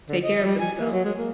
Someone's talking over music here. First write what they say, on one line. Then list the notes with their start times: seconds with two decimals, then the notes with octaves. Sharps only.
take care of themselves.
0.09 D3
0.24 D#5
0.44 G3
0.60 G#5
0.80 A#3
0.92 F#3
1.05 G#3
1.18 A#3